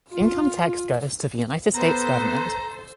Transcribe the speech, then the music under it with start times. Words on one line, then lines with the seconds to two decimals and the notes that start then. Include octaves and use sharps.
Income tax goes to the United States Government.
0.13 F4
1.74 B3 A4 B4 C5 A#5